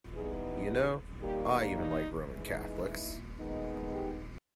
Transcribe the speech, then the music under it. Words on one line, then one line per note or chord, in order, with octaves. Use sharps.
You know, I even like Roman Catholics.
E3 G3 B3 D#4 G#4
G4
D#3 G3 A#3 G4
D#4
E3 G#3 D#4
E4
D#3 G#3 B3 D#4
G4